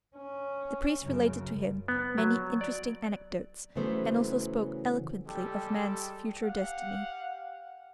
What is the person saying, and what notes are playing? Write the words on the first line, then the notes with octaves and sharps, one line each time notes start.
The priest related to him many interesting anecdotes, and also spoke eloquently of man's future destiny.
C#4
F#2 C#3
B3
F#3
D5
C#3 E3 F#3 A3 B3 C5
G3 G#3 G4 A4
G4 F5 F#5